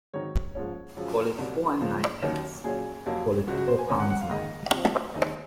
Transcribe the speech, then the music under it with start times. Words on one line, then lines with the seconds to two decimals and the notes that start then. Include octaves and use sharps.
Call it four and ninepence — call it four pounds nine.
0.13 G#2 D#3 F#3 C4 D#4 C#5
0.55 G#2 F3 A#3 C#4
0.97 F#2 F3 G#3
1.39 C2 C3 F#3
1.80 C#2 C#3 F3 A#3
2.22 D#2 D#3 F#3 C#4
2.64 A#2 F#3 C#4 G#4
3.06 F2 C3 F#3 A#3
3.47 C#2 C#3 F#3 F#4
3.58 F#4
3.68 C5
3.79 G#5
3.89 F2 D#3 A#3 C#4 G#5
4.00 F#5
4.10 F#5
4.21 F5
4.31 G#2 D#3 A#3 D#5
4.73 C3 F3 C4
5.14 D#2 D#3 G#3 C4 D#4 D#5